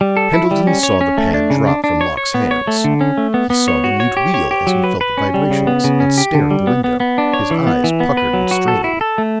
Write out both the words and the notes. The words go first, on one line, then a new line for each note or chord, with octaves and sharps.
Pendleton saw the pad drop from Locke's hands; he saw the mute wheel as he felt the vibrations and stare at the window, his eyes puckered and straining.
G3
A4
E4
G3
C#4
C#5
C#4
A3
D4
C#3
D4
D4
C#5
C#5
B3
C#5
A3
D3
C#4
A3
B3
B3
C#5
F#4
C#5
G4
C#5
G4
F#3
B4
B4
C#4
G3
C#3
B3
C#3
C#4
G4
D3
G3
B3
B3
B3
D4
C#5
E3
B3
E3
B3
B4
F#3
F#4
A4
E4
A4
A3